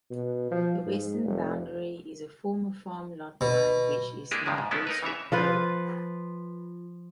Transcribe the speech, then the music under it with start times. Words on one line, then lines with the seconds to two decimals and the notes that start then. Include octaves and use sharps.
The western boundary is a former farm-lot line which is now Brunswick Road.
0.11 B2
0.51 F3
0.86 G#2
1.25 F1
3.41 B2
4.31 G#3 A#3 D4 E4 G4 G#4
4.46 G2 C3 D#3 F3 G#3
4.58 G#2
4.71 G#3 A3 B3 C#4 E4 F4
4.87 D#4 A#4 B4
5.03 C#3 E3 C#5 E5
5.32 F3 F4 B4